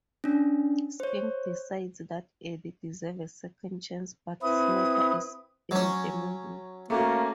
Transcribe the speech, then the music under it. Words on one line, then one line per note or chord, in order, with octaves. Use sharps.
Skink decides that Edie deserves a second chance but Snapper is irredeemable.
C#4 D4
C5 C#5
C4 E4 B4 D#6
F#3 C#4
A3 A#3 C#4 F#4